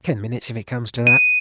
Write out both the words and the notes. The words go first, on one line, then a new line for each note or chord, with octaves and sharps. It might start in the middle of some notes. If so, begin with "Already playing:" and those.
"Ten minutes, if it comes to that."
D#7